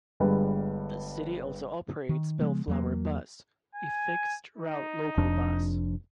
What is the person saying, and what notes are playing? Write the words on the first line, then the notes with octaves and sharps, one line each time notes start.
The city also operates Bellflower Bus, a fixed-route local bus.
G1 G2 G3 G#3 B4
D#3
C#3 F3 G#3 B3
E2 F#3 A#3
G#5
D#4
F1 F2 D4